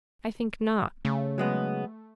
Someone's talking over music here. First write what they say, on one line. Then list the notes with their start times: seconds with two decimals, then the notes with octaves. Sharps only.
I think not.
1.05 C#3 A3
1.38 F#3 G#3 B3